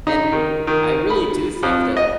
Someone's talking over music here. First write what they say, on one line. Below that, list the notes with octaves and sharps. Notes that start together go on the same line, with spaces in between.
And I really do think that
D#4
D#3
D#3
B5
F2
D#5